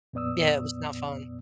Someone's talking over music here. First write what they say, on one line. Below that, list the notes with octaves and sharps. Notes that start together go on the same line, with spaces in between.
Yeah, it was not fun.
F2 A#2 B3 D5 D#6 E6